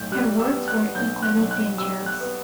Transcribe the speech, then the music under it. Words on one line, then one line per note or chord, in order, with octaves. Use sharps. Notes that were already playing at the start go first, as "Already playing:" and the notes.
Her words were equally dangerous.
Already playing: B1 A2 G6
G3 F#6
E6
B3
F#6
B1 G6
F#6
B1
F#6
G3 E6
F#6
B3